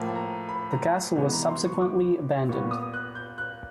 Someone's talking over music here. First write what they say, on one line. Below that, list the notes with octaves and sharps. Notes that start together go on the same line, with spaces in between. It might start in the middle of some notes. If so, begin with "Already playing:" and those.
The castle was subsequently abandoned.
Already playing: A2 F3 A#3
A#5
B5
A#5
C3 E3 G#3 B3
A#5
C6
C#6
D6
A#2 G3 B3 C#6
D#6
F#6
G6
F#6